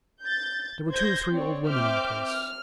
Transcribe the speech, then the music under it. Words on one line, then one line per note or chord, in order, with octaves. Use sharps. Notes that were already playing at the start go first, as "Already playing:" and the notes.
There were two or three old women in the place.
G6 A6
C5 G6 G#6 A#6
C4 C#5 D5
C4 E5 D6 F6 G6
F6